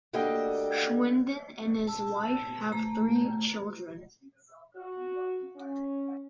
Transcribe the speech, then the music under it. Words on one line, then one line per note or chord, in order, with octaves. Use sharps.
Schwinden and his wife have three children.
D2 D3 A#3 G4 D#5 G5
A5 E6
A3 A#5
F#4
C#4